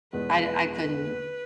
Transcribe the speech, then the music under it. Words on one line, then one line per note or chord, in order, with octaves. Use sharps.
I I couldn't.
E2 B2 G#3 B3 B4
B4
B4